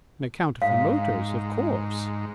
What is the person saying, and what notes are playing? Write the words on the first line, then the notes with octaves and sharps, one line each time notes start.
"On account of the motors, of course."
G#2 F5